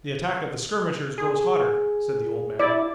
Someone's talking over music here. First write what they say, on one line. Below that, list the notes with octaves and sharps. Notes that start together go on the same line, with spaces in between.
"The attack of the skirmishers grows hotter," said the old man.
G#4
E4 D5